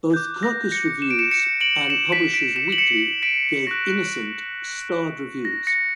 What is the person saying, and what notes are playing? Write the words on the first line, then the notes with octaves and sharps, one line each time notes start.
Both "Kirkus Reviews" and "Publishers Weekly" gave "Innocent" starred reviews.
D6 F#6 G6
A#6
A#6 C#7
E7
D7
C#7 E7
C#7 E7
D7 F#7
C#7 E7
B6 D7
B6 D7
C#7 E7
F#7
C#7 E7
B6 D7
C#6 F#6 A#6 C#7
A#6
A#6 C#7